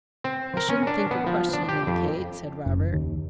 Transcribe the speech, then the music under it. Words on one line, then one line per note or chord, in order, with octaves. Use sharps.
"I shouldn't think of questioning it, Kate," said Robert.
C4
A#4
C#4
D4
B3
F3
D4
G4
F2
F#1
D#2